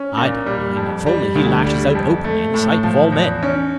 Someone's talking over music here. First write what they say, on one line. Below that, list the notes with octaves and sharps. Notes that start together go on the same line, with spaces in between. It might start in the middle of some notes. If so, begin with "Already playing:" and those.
"I don't mind if only he lashes out openly in the sight of all men."
Already playing: C#4
A#2
G3
F2
G3
D2
G3
F2
A3
A2
F3
E2
C#4